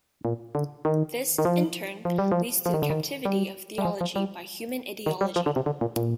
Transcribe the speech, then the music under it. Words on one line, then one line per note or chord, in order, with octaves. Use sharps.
This, in turn, leads to the captivity of theology by human ideology.
A#2
D3
D#3
D#3
F3
F3
G3
F3
F3
D#3
D3
D#3
G3
G3
F3
F3
G3
D#3
G3
F3
D3
C3
D3
A#2
A#2